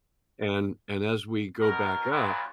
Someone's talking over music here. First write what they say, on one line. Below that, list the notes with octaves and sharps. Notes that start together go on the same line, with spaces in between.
and and as we go back up,
B2 A#4
D#2 A#2 F#3 F4 B4